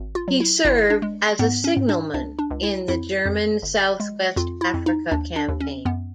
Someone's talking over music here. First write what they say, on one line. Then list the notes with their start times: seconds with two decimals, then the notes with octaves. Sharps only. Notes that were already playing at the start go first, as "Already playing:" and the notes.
He served as a signalman in the German South-West Africa campaign.
Already playing: G#1
0.15 F4
0.28 F#3
0.40 E4
0.65 G#1 E4
0.90 D4
1.02 G#3
1.39 G#2 B3
1.64 C#4
1.77 G#2
1.89 D4
2.14 C#2 D4
2.39 D4
2.51 C#2
2.63 E4
2.88 F2 E4
3.26 F2
3.62 G1
4.00 G#3
4.36 F2 F4
4.61 E4
4.74 F2
4.86 D#4
5.11 D#2 D4
5.36 D4
5.48 D#2
5.60 C#4
5.85 F#2 B3